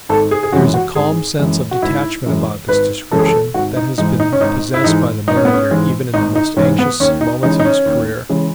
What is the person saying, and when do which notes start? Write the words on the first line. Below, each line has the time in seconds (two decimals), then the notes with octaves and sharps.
There is a calm sense of detachment about this description that has been possessed by the narrator even in the most anxious moments of his career.
0.09 G#1 A4
0.31 G#4
0.43 G#4
0.52 F#2 C#3 E3 G#3 F#4
0.74 F#4
0.95 G#1 G#4
1.39 F#2 C#3 E3 G#3
1.71 F#4
1.82 G#1 E4
2.26 F#2 C#3 E3 G#3
2.68 G#1 B4
3.11 F#2 C#3 E3 G#3 A4
3.18 G#4
3.26 A4
3.54 G#1 F#4
3.77 D#4
3.98 G#2 E3 G#3 D#4
4.20 D#4
4.33 C#4
4.41 G#1 D#4
4.74 E4
4.84 G#2 E3 G#3 D#4
5.27 G#1 D#4
5.36 C#4
5.45 B3
5.53 C#4
5.71 G#2 E3 G#3
6.14 G#1 D#4
6.36 D#4
6.56 G#2 E3 G#3 C#4
6.79 B3
7.00 D#2 C#4
7.21 D#4
7.42 C#3 E3 G#3 D#4
7.60 D#4
7.65 C#4
7.86 D#2
8.29 C#3 E3 G#3